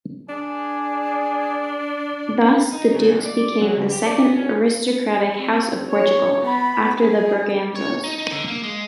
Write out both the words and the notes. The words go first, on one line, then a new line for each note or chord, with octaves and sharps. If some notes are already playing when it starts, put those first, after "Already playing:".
Thus the Dukes became the second aristocratic House of Portugal, after the Braganzas.
D4 G#4
D#4
C#3
B1
D5
F#3
C#2
G4
D5
B3
C#4
C4
C#5
B3 B5
G#4
C#5
D#4
D#4
D3
A#3
G#3